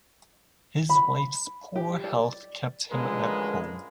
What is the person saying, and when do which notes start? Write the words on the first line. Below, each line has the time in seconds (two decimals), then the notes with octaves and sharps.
His wife's poor health kept him at home.
0.89 B5
1.76 G4
2.04 D5
2.91 A1 D3 F3 G#3 A#4 B4